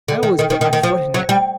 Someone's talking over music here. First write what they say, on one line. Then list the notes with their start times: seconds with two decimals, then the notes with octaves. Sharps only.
I always put my foot in it.
0.08 D3
0.23 D#3
0.39 D#3
0.50 D#3
0.61 D#3
0.73 D#3
0.83 F3
1.14 F#3
1.29 G3